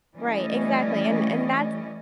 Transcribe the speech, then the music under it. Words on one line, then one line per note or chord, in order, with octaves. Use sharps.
Right, exactly, and and that's
E3 G3 A3 C#4 D5 D#5